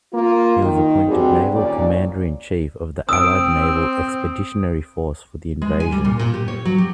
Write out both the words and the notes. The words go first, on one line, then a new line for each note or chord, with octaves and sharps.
He was appointed Naval Commander-in-Chief of the Allied Naval Expeditionary Force for the invasion.
A#3 F4
D#3
G2 C3 G3 C4 F#4 G#4
D#2 A#2 A#3 C#4 D5
C4 D#6 E6 D7
G#3
G#5
G3
A#2
A#2
G4
C#5
F#3
G4